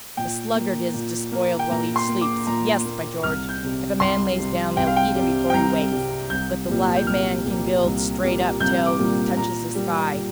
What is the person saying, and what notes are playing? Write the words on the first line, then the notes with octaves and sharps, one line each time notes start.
The sluggard is despoiled while he sleeps--yes, by George! if a man lays down they'll eat him before he wakes!--but the live man can build straight up till he touches the sky!
A#2 G5
A#3
A#2
A#3
G5
A#2 A#5
C6
A#3
D6
A#2 A#5
A#3
C2 F6
G6
C3 G3
C2 C6
C3 G3
C2 G5
F5
G5
C3 G3
G5
C2 A#5
C3 G3
C2 G6
A#2 G3 A#3
G6
C2 F6
A#2 G3 A#3
C2
A#2 G3 A#3
C2 G6
D6
A#2 G3 A#3
A#2 A#5
G3 A#3
A#2